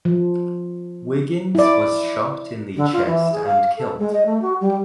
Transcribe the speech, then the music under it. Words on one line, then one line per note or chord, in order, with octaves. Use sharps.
Wiggins was shot in the chest and killed.
F3
E4 D5
D3
F4
E3
G#4
F5
A4
G#3
D#5
A3
F#4
G3